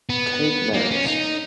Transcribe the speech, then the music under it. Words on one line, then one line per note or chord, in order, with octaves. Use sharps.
Take notes.
B3
A#3
C#4
D#4